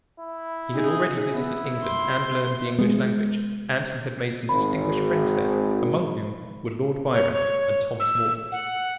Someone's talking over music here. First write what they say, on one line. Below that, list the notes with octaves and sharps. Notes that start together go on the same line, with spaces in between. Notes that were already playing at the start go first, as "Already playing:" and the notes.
He had already visited England and learned the English language, and he had made some distinguished friends there, among whom were Lord Byron and Thomas Moore.
E4
D#4 G#4
B3 E4
C6
G#3 B3
G#1 B5
C#5
C#5
E6
F#5